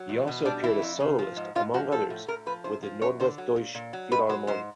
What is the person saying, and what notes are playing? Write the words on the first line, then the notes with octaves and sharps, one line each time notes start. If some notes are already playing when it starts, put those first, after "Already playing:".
He also appeared as soloist among others with the Nordwestdeutsche Philharmonie.
Already playing: F#3
E2
B2
G3 D4
E3 E4
F2
C#3
F3
G#2
G#2 F4
F3 F#4
F3 A4
A2
A2 A#4
F3 B4
F#2 C5
F3
F#2 C#5
D3 C5
F#3
A#2
A#2
F#3
G#2 B4
F#3 C5
G#2 C5